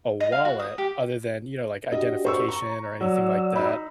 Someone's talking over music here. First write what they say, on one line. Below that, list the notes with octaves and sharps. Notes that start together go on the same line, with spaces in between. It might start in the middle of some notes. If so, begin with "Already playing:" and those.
a wallet, other than, you know, like, identification or anything, like, that.
D#5
F5
F#4
D#6
G4
D4 F#4 G4 D#5
C5 C#6 E6
A#5 C#6
F#3 F#4 D5 E6
D#4 B5